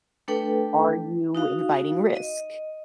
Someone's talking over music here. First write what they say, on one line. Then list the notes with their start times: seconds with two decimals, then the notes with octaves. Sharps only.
are you inviting risk?
0.28 A3 D4 A4 B4 G5
1.35 D#4 F#4 F5
2.15 D#5